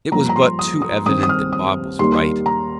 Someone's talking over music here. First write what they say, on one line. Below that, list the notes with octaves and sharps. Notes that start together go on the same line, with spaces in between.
It was but too evident that Bob was right.
G2 F3 A#3 A#5
A#5
C6
D#6
D#6
G2 D#3 C4 D#6
D#6
F6
D#6
D#2 D#3 G3 A#3 C6
A#5